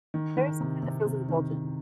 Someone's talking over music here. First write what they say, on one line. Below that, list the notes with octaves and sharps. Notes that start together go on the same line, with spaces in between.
there is something that feels indulgent.
D#3
D#3
C3
C3
C3
D#3
D#3